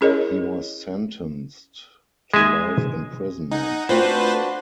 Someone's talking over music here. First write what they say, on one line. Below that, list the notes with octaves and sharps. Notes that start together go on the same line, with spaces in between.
He was sentenced to life imprisonment.
C#4 E4 G#4 A#4 C#5 D#5
G#3 E5 G#5
D#4 F#5 G#5
A3 C4 D4 F4 F#4 B4 C5 A5